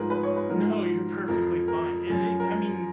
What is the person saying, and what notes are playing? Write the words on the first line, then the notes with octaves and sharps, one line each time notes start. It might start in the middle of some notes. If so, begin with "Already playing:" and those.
No, you're perfectly fine. Yea yea i I mean,
Already playing: G#2 F3 G#4 A#4 B4
B4
C#5
B4
G#2 F3 A#4
F2 F3 A#4
A#4
F#2 F3
A#4